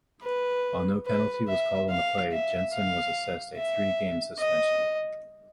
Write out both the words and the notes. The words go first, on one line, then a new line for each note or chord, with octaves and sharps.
While no penalty was called on the play, Janssen was assessed a three-game suspension.
B4
B4
E5
F5
E5
F5
E5
D#5